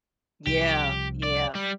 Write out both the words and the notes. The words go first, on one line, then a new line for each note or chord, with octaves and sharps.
Yeah. Yeah.
C2 F3 G4
D5
G3